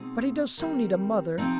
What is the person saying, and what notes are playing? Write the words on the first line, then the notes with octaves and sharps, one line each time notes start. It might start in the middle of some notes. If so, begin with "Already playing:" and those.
"But he does so need a mother."
Already playing: B2 G#3 C4 D#4
D#3 G3 C4
C3 F3 C4 D#4